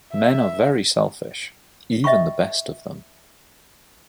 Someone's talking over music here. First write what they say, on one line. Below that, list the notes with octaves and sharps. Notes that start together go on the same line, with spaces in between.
Men are very selfish, even the best of them.
E5
D#5 E5 G5 B5 C#6